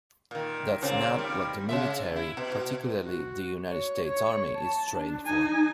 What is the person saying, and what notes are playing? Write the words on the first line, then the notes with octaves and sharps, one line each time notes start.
That's not what the military, particularly the United States Army, is trained for.
A#2 D#3
A#2 C#3 C4
D#3 G3
C#3 G#3 E5
E4
B2
F#4
C#5
C#5
A5
D4
D#4 G#5